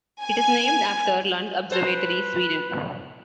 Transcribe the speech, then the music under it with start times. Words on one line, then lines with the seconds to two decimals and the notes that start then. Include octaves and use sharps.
It is named after Lund Observatory, Sweden.
0.23 G#5
1.71 A4 B4 C5